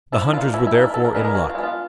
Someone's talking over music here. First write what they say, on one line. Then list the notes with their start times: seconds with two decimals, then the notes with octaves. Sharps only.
The hunters were therefore in luck.
0.12 F3 E4
0.33 A#3 D4 F4
0.54 F3 E4
0.67 E4
0.74 A#3 D4
0.81 E4
0.94 E3 A4
1.05 A#4
1.15 G#3 B3 D4 B4
1.25 A#4
1.35 E3 F#4
1.49 F4
1.55 G#3 B3 D4
1.63 F4